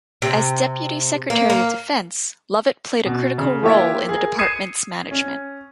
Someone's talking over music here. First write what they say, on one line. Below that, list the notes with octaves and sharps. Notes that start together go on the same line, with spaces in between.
As deputy secretary of defense, Lovett played a critical role in the department's management.
C3
A#3
A#3
B2
C#3
E3 A#3 F4 G4 C#5 E5
G#4 A#4
D#6 G#6 C7 C#7 D#7 E7
C#4